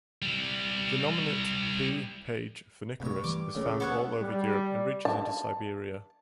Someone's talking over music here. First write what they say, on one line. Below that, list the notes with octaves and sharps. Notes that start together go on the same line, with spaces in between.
The nominate "P. page phoenicurus" is found all over Europe and reaches into Siberia.
G3 E4
G2 C3 A3 C#6
E3 D6
C#2 C#3 A3 A#3 C#4
B3 A4 C#5 F#5
G3
A5